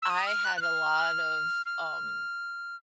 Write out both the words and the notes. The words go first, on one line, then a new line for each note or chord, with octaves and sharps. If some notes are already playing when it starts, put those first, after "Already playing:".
I had a lot of, um
E6
D#6
F6
F#6
F#6
F6
F6